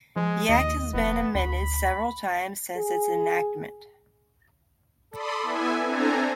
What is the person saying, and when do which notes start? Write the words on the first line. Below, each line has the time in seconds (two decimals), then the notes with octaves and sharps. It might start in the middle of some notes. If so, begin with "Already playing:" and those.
The Act has been amended several times since its enactment.
0.16 F3 G#3
0.49 D#2 D#5
0.94 F1 B3
1.35 D2 B5
2.76 G#4
5.11 A4 D5 B5 C6 D#6
5.43 B3 E4 E5 G#5
5.83 C4 D4 A4 G#5 A#5